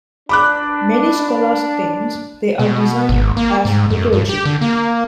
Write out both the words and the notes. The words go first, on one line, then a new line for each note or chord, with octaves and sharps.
Many scholars think they are designed as liturgy.
D4 B5 D6 F#6
B2
G#1
A#3
G#2
F#2
G2
G4
D3
A#3